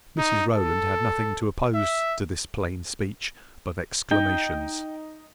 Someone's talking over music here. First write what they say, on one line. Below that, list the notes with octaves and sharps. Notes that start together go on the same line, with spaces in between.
Mrs Rowland had nothing to oppose to this plain speech but exclamations.
D#4
A4
E5
D#4 G5